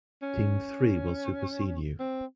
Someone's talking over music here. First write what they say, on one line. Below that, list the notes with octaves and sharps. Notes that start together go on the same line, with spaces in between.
Team three will supersede you.
C#4
C4